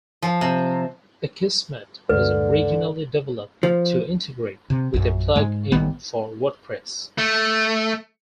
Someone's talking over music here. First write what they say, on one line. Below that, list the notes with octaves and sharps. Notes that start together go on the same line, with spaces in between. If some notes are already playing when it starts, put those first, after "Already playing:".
Akismet was originally developed to integrate with a plug-in for WordPress.
F3
C3
D2 G2 D3 G#3 B4
F3
C3
A#1 F#2
G#2 G#3
A1 D#3 G3 B3
A3